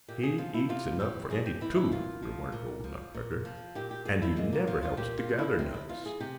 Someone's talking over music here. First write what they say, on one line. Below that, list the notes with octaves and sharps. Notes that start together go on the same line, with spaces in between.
"He eats enough for any two," remarked old Nutcracker, "and he never helps to gather nuts."
A#2 G4
G#4
F3 F4
E4
C3 F4
E3 G4
C3 G#4
G4
E3 E4
E4
A#2 F4
F3
A#2
F3
A#2
F3
A#2 G4
G4
F3 G#4
E4
A#2 G#3
A#3
F3 F4
F4
A#2 G4
F4
F3
E4
C3 C4
E4
E3 F4
G#4
C3 G4